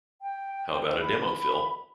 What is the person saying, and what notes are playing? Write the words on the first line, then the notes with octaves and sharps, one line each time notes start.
How about a demo, Phil?
G5
B5